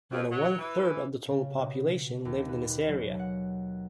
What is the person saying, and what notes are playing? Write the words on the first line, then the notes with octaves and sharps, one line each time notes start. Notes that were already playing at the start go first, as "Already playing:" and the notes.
More than one-third of the total population lived in this area.
F2
F#3
E3
C#3
B2
D#2
B4
F#3
F#5